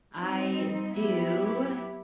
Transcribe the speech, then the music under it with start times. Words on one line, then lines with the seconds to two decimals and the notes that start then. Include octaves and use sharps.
I do.
0.18 G3 C4 D#4
0.97 F#3 B3 E4 G4